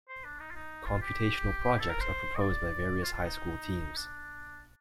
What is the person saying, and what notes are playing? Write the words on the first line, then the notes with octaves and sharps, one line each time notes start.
Computational projects are proposed by various high school teams.
C5
D4
D#4
F4
D#4
F4
G4
A4
A#4
C5
D#5
D5
F4
F4
D#4
D4